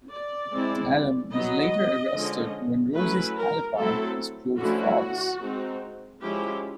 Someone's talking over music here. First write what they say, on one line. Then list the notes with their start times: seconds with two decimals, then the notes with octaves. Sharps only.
Adam is later arrested when Rosie's alibi is proved false.
0.10 D5
0.51 G#3 C4 E4
1.32 F#3 B3 D#4 D#5
2.14 D3 F3 G#3 C#4
2.95 F#3 A3 C#4 E4 B4
3.37 A#4
3.77 F#3 A3 C4 E4 A4
4.58 D3 F3 A3 C#4 E4 F#4
5.40 G#3 C4 D#4
6.22 F3 G#3 C#4 E4 G4